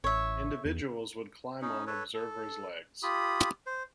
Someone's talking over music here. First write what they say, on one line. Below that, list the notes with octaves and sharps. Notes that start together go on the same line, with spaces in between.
Individuals would climb on observer's legs.
A1 C#5 E5
E2
C#4 D#4
A4 B4 C#5
A4
F4 G4 B5 D#6
C5